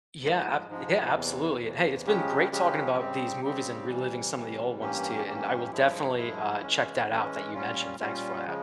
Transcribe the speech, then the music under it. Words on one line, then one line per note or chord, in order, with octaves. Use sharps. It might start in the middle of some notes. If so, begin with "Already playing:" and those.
Yeah, ab yeah absolutely and hey, it's been great talking about these movies and reliving some of the old ones to ya, and I will definitely, uh, check that out that you mentioned, thanks for that.
G#2 F3 G#3
G#2 F3 G#3
E2 C3 E3
E2 C3 E3
C#3 F3 G#3 C#4 G4
C#3 F3 G#3 C#4 G4
C#3 G3 C4 G4
C#3 G3 C4 G4
C3 E3 G3
C3 E3 G3
G2 E3 A#3 C#4 G4
G2 E3 A#3 C#4 G4
G2 F3 G#3 E4
G2 F3 G#3 E4
E3 G#3 C#4
E3 G#3 C#4
A#2 G3 C#4 F4
A#2 G3 C#4 F4
C#3 F3 G#3